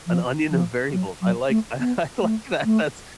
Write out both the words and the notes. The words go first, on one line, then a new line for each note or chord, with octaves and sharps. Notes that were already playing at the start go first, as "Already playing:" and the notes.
An onion and variables. I like tha I like that. That's
F3
F3
F#3
F#3
A3
B3
A3
A3